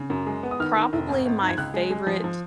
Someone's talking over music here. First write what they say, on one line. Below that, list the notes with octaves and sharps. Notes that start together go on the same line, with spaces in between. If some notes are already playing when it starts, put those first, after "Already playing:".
probably my favorite
Already playing: C#3
F#2
G#3
B3
D#6
D#3 F6
D#3
F1
G#1
G#1
G#2
G#6
C#2 F#6
G#3
G#3
F3
F3